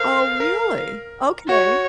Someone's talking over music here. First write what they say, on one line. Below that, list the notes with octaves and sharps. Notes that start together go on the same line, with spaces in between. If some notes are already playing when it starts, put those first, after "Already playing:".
Oh, really? OK.
Already playing: A4 A#4 C5 F5
A#4
F#4 C#5